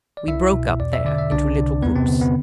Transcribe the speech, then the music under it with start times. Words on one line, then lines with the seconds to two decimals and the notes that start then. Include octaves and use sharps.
We broke up there into little groups.
0.17 D5
0.27 C2 E4 E5
0.53 B2
0.80 E2 D5
0.93 E5
1.05 D3 D5
1.18 E5
1.30 C2 D4 D5
1.57 C3
1.82 E2 B3 B4
1.95 C3 C4
2.08 D3 B3
2.21 B3